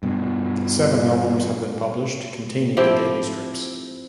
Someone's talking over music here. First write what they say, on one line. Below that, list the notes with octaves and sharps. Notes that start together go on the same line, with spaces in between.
Seven albums have been published containing the daily strips.
G2 B2
F3 C4 E4 G4